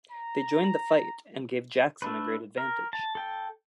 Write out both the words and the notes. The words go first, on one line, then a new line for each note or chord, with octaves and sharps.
They joined the fight and gave Jackson a great advantage.
A#5
A3 D4 B4
A#4
A5
A4 G5